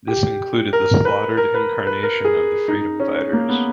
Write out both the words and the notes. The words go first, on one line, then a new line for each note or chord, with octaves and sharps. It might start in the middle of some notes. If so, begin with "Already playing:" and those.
This includes the slaughtered incarnation of the Freedom Fighters.
G4
A#4
B4
A#4
B4
B4
A#4
G#4
D#4
C#4
A#3
B3